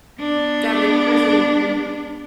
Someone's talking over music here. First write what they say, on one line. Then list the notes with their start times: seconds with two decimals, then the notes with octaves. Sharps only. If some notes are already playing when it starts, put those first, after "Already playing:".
deadly prison is in
0.20 B3 D4